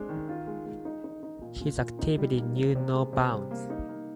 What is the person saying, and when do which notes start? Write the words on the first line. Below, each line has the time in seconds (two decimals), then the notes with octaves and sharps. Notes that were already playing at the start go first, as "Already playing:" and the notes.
His activity knew no bounds.
Already playing: G#3 C4 D4
0.09 D#3
0.28 F4
0.47 G#3
0.66 G#3
0.85 D#4
1.04 D#4
1.23 D#4
1.42 A#2
1.61 A#2
1.80 A#2
1.99 D#4
2.18 G3
2.37 A#3
2.56 C3
2.75 C3
2.94 G#3
3.13 C3
3.32 G3
3.51 A#3
3.70 D#4
3.89 A#3